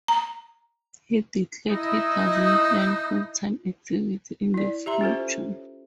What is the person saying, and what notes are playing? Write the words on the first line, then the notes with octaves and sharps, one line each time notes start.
He declared he doesn't plan full-time activity in the future.
A#5
D#4 E4 D#5
E4 D5
G4 E5 A#5 C6
C#4 F4 A4 C5